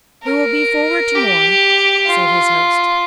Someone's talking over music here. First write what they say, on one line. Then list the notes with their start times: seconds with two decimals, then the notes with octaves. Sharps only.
We will be forward to-morn, said his host.
0.23 A#4
1.15 G4
2.07 F4